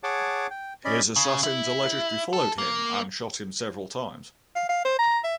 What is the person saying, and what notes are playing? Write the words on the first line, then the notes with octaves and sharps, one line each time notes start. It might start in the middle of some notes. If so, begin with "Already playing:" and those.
His assassins allegedly followed him and shot him several times.
G#4 C#5 F#5 A5 D6
G5
C#4 D5 D#5 B5
C#3
E4
A4
A#3
F5
F5
C5
A#5
E5